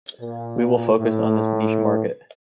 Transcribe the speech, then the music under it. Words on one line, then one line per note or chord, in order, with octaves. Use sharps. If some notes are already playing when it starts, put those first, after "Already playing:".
We will focus on this niche market.
A#2
A2